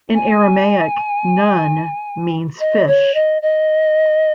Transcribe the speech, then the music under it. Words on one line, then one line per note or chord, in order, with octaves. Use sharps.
In Aramaic, "nun" means "fish".
G#5
D#5
C#5
D#5
D#5